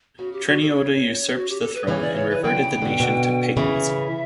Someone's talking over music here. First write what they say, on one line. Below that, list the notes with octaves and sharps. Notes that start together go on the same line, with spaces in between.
Treniota usurped the throne and reverted the nation to paganism.
C#3 F#4
G4
F#4
A4
D5
C#5
F#4
G4
A4
B4
C#3 E3 C#5
D5
C#5
B4
D3 F#3 G5
C#3 E3
B2 D3
B2 D3
C#3 E3 E5